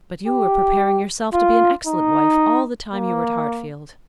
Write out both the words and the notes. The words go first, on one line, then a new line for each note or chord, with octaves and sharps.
But you were preparing yourself to be an excellent wife all the time you were at Hartfield.
G4
F4
D#4
A#3